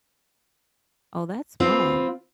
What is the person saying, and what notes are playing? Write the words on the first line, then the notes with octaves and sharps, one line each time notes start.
"Oh, that's wrong,"
C4 F4 B4